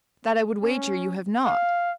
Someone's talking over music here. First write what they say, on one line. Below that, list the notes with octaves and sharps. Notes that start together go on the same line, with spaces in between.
That I would wager you have not.
C#4
F5